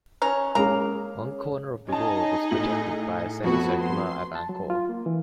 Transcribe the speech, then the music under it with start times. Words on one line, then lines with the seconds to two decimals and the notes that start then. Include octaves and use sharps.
One corner of the wall was protected by a semi-circular avant-corps.
0.22 C#4 A#5
0.55 G#3 A#3 C#4 G#4 A#5
1.88 C#4 D#4 G#4 D#5 A5
2.51 A2 E4 F#7
3.44 F2 A3 B3 F#4
3.78 C6
4.35 A5
4.49 F#3
4.70 F4
4.89 A#3
5.06 E3